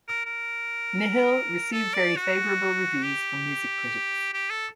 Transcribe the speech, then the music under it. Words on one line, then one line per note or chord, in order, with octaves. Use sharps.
"Nihil" received very favorable reviews from music critics.
A#4
A#4
A4
D5
F#4
G4
G4
A4